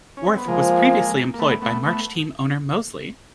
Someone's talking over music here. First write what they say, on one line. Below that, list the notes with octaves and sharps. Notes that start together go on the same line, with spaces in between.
Wirth was previously employed by March Team owner Mosley.
C#4
C4
B3
F3 G#3 A#3
A#3
A3 B3
A3 B3
A3 B3